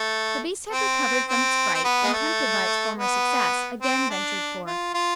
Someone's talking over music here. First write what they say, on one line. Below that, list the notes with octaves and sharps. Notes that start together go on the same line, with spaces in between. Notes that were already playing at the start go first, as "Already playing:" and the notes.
The beast had recovered from its fright, and, tempted by its former success, again ventured forth.
Already playing: A3
C4
C4
C4
B3
G#3
A3
B3
C4
D4
F4
F4